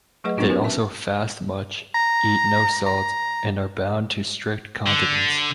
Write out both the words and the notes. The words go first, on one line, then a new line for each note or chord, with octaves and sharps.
They also fast much, eat no salt, and are bound to strict continence.
F#3 A3 G#4 B4 D#5 F#5
F#3 B3 D4 D#4 F#4 G4
C#4 F4 G4 A#4 B4
E5 A5
A#5
A#5
D3